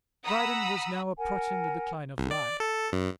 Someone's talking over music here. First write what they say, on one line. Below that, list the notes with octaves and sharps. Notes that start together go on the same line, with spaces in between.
Dryden was now approaching the decline of life.
F#5 A#5 B5 D#6 E6
A#4 F#5 G#5
C2
D5
A4
F#2